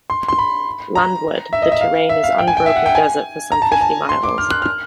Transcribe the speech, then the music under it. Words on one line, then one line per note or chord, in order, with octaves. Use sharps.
Landward, the terrain is unbroken desert for some fifty miles.
C6
C6
B5
A#5
E5
D#5
E5
F5
E5
F5
G5
G#5
G5
E5
F#5
G5
G#5
A#5
A5
G#5
A5
C6
D6
F6
F#6
F6